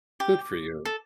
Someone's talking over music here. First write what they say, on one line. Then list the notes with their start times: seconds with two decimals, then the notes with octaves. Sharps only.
Good for you.
0.20 G4
0.85 A4